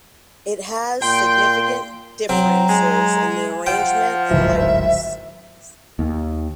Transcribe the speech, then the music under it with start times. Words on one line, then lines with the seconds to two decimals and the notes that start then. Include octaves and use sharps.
It has significant differences in the arrangement and lyrics.
1.02 A#2 G5 C6 G6
2.29 F#3 C4 A#5
2.69 G#3
3.66 F3 F#5 G5
4.30 D1 G#1 E5
5.99 D#2